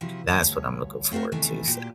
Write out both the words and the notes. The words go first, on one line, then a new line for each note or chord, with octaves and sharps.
that's what I'm looking forward to, so
C3 F3 E4 F#4
D#2 D#5 A5
D2 G2 C#5
A3 C4 F4 F#4 A#4
E2 C3 D#3 E3 A3
A#2 F#3 G4